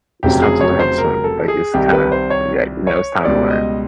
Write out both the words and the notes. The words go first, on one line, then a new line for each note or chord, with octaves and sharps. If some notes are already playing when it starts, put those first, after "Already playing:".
it's time to learn how to swim." Like, it's kinda yeah, you know, it's time to learn.
F1 F2 C#3 F#3 G4
G#4
C#5
C5
A#4
A4
G#4
C2 C3 D#3 G3 G4
B4
C5
C#5
C#5
C#2 B2 G3 D5
D#5